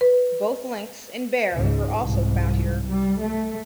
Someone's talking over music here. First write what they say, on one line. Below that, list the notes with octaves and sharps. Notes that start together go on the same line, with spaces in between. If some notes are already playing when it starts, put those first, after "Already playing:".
Both lynx and bear are also found here.
B4
C#2 G#2
C2 G#2
G3
A3